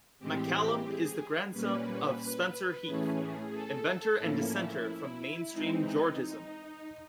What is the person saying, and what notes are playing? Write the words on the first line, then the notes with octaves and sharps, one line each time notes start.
MacCallum is the grandson of Spencer Heath, inventor and dissenter from mainstream Georgism.
A2 E3 G#3 C4 G4
G#4
A#2 G3 A#3 C#4 B4
A2 E3 A3 C#4 G#4
A4
A2 F3 A#3 C#4 E4
E3 G#3 C4 D#4
D#4